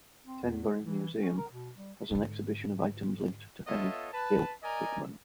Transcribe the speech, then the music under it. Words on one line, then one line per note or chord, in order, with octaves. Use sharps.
Tenbury Museum has an exhibition of items linked to Henry Hill Hickman.
C4
E2
G#3
E3
C#4
A#4
B2
G3
G#2 D3
B3 F4 A4 C#5 D#5 E5
B4 A5
A#4 D5 D#5 G#5 A#5